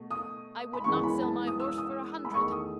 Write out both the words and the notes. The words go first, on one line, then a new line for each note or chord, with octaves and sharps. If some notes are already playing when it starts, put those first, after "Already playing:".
I would not sell my horse for a hundred.
Already playing: B2 A3
D#6
B5
F#2 E3 G#3 B3 C#6
B5
A5
D#6
E6
D#6
B5
E2 D#3 A3 C#6
D#6